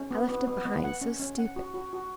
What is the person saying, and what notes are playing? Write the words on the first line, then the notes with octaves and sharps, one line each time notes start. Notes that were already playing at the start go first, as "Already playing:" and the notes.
I left it behind; so stupid!'
Already playing: C#4
B3
B3
B3
B3
F#5
C#4
C#4
F#5
F#4
F#4
F#4